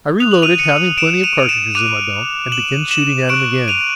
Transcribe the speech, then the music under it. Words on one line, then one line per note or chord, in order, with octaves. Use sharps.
I reloaded, having plenty of cartridges in my belt, and began shooting at him again.
D#6 F#6 F7
F#7
D#7 F7
C#7 D#7
D7 E7
D#7 F7
F7
D7 E7
D6 F#6 D#7 F7
E7 F#7
E7 F#7
C#6 F#6 D7 E7
D#7 F7